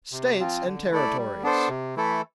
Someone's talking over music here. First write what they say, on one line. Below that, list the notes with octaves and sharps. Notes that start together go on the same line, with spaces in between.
States and Territories.
C3
F3 C4 F4
D3
A3 E4 A4 D5
G3
B3 D4 A4 C5
C3
E3 A3 E4 A4